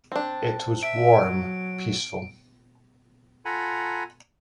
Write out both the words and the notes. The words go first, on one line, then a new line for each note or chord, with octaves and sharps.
It was warm, peaceful.
C4 D4
E5 D7
F#3
F4 A4 F#5 G#5 A#5 B5